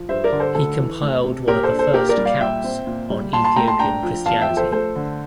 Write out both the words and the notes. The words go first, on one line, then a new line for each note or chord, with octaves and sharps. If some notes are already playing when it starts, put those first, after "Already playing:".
He compiled one of the first accounts on Ethiopian Christianity.
Already playing: F3
G2 C5 E5
A#4 D5
D3
A4 C5
D2 A4
E3
A3
C3
A#2 G4 A#4
A4 C5
D4
A4 C5
A#2 G4 A#4
A#4 D5
G3
D5 F5
A#2 E5 G5
C4
A#2
G3
A#2 A5 C6
A5 C6
A3 G5 A#5
A5 C6
D4 G5 A#5
F3
E2 F5 A5
E5 G5
F3
A4 C5
A3 A4 C5
D3